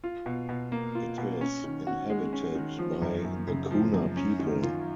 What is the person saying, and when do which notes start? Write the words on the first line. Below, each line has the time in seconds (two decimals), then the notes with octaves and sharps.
It is inhabited by the Kuna people.
0.04 F4
0.26 B2
0.49 B2
0.72 A#3
0.95 F4
1.18 B2
1.41 C#4
1.64 D#3
1.87 F#4
2.10 G#3
2.33 C#4
2.56 D#3
2.79 F3
3.02 F#2
3.25 F#2
3.47 C#3
3.71 F3
3.94 F#2
4.17 C#4
4.39 D#3
4.63 F4